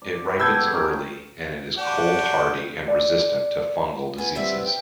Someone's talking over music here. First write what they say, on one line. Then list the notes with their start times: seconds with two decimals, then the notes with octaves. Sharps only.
It ripens early, and it is cold-hardy and resistant to fungal diseases.
0.02 D5
0.25 B4 G5
0.40 B3 A4 B4 E6 G6 G#6
0.72 C#4 A#4
1.77 D4 F#4 G4
2.88 D5
4.18 B3 G#5
4.35 G3 B3 C4 E5
4.66 G5